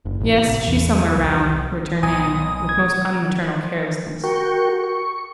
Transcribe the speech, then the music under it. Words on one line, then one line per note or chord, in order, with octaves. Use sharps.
"Yes, she's somewhere round," returned Nan, with most unmaternal carelessness.
F#1
A1
C3
E2
C2
B1 A#2 G#5 D#6
G#6
F#4 A#4 G5 C#6
C#6